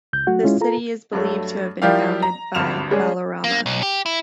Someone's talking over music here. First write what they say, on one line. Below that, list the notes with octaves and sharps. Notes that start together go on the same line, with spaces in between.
The city is believed to have been founded by Balarama.
C#2 G6
F#3 A3 F#4 F#5
G#3 C#4 E4 F4
F4 A4 A#5
G2 F#3 A3
F3 G3 E4 G4 A#4 F5
A#5
G#1 D2 G2 F6 E7 F7
G3 G#3 C#4 G#4
A#3
B1
G4
E4